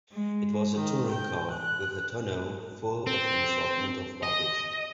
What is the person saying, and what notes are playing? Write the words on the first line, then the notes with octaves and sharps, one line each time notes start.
It was a touring car, with the tonneau full of an assortment of baggage.
G#3
D#3
G5
F#6
C4
D#5